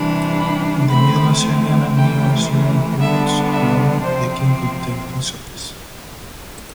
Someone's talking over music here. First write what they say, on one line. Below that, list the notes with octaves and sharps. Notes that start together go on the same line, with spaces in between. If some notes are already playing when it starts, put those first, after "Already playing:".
In the Middle Assyrian and Neo-Assyrian periods, however, the king could take this office.
Already playing: C3 E3 G3 D4
B5
E3 A3 C4 B5
C3 E3 A3 G5
D3 G3 B3 D4 E5
E5
C3 F3 C4 C5